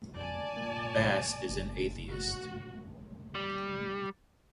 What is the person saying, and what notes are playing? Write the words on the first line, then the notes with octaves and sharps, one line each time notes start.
Bass is an atheist.
F1 D5 G#5 A5
A#2
F#1
F#4
G3